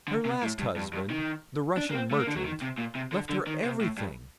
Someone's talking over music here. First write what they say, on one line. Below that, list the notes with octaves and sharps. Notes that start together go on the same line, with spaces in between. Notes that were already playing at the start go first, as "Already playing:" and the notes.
Her last husband, the Russian merchant, left her everything.
D3
C3
A2
G2
G2
G2
D#3
D4
A#3
C4
A3
A#3
D3
F#3
D#3
C3
A#2
C3
D3
D3
D#3
C3
A2
G2